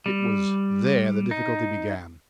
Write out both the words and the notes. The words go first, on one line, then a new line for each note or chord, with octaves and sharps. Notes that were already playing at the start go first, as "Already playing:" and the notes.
It was there the difficulty began.
G3
D#4